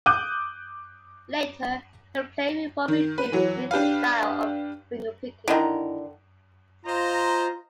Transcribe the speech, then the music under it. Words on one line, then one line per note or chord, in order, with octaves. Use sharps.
Later, her playing evolved into a unique style of fingerpicking.
D6 D#6 F#6 G6 D#7
D#3
B4
E3 F#3
D4 G4 B4 F5
D3 D#3 E4 D#5 A#5
F4 C5 D#5 A#5